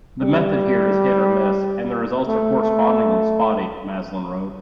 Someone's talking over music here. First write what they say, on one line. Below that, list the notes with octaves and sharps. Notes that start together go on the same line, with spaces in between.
"The method here is hit-or-miss, and the results are correspondingly spotty," Maslin wrote.
G3
A3
A3